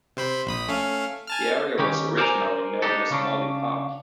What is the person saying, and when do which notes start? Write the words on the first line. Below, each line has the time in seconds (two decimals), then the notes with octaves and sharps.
The area was originally known as Morley Park.
0.17 C3 C5 B5
0.47 A#1 B5 D#6
0.68 A3 C#4 F5
1.27 G#5 A5 F6
1.79 D#3 C#4 G4
2.17 A#4 C5 D5 F5 G#5 A#5
2.82 D4 D#4 G4 A4
3.10 C#3 C#4 D4